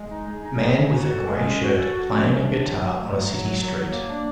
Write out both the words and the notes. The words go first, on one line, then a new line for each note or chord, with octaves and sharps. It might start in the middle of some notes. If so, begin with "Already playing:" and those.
Man with a gray shirt playing a guitar on a city street.
Already playing: G#3
D#4
G#4
D#4
G#4
D#4
F#4
A4
G#3
C#4
F#4
A4
F#4
C#4
F#3
D4
F#3
F#3
A3
F#3
F#3
F#3
F#3
F#3
A#3
D4